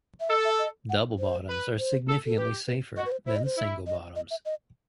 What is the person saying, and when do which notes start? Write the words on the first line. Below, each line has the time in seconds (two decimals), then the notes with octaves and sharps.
Double bottoms are significantly safer than single bottoms.
0.20 E5
0.30 A4 D#5
0.45 E5
0.59 D#5
0.90 F#5
1.19 C5
1.49 B4
1.79 C5
2.09 A4
2.26 A4
2.38 G4 B4
2.68 B4
2.97 F#4 D#5
3.06 B4
3.12 C5
3.27 E4 C5
3.36 D#5
3.45 C5
3.57 E4
3.87 D#5
4.16 D#5
4.31 E5
4.45 D#5